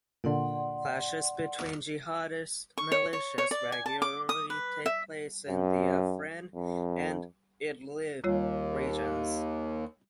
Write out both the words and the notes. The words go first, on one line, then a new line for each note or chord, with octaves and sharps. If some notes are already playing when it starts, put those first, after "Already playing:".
Clashes between jihadist militias regularly take place in the Afrin and Idlib regions.
A#2 D3 D5 F#5 C6
C#6
C#5
C#5
C#5
D5
G#5
A5
D6
D#6
B4
E5
F#2
F2
D#2 G3 F4 C#5